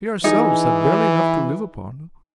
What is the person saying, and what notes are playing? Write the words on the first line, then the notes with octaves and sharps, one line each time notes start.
We ourselves have barely enough to live upon.
E3 D#4 G#4